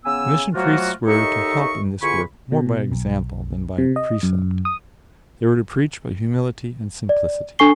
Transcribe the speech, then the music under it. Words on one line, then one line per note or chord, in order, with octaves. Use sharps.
The Mission Priests were to help in this work more by example than by precept; they were to preach by humility and simplicity.
C#3 B3 G#5 E6
F3 F#3 A3 A#3 F4 F#4
D#2 D#4 A4 D#5 E5 C#6
E2 D3 F4 G#5 B5 C#6
B2
B1
C3
D#5
F#2
D#6
D5
D4 A4 G#5 C#6 C7 G7